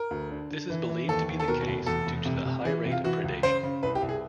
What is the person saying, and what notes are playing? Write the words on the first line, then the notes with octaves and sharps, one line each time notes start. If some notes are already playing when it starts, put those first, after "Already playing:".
This is believed to be the case due to the high rate of predation.
Already playing: A#4
D2
D3
D3
E3
E3
D#2 A4
D#2
A4
B2 A#4
F1
E2 A4
F1
C3
C3
E3 G#4
C3
F4
E3 F#4
C#2
C#3 C5
C#3
C2 B4
G4
C2
G#4